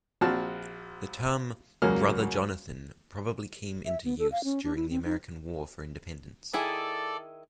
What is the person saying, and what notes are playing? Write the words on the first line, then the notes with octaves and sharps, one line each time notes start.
The term "Brother Jonathan" probably came into use during the American War for Independence.
A#1 C4 F#4 A5 F6
C#2 F#2 C#3 F#3 A#3 F6
E5
B3
A4
F5
C#4
D4
E4
C4
D#4
D#3 E4 G#4 A4 D5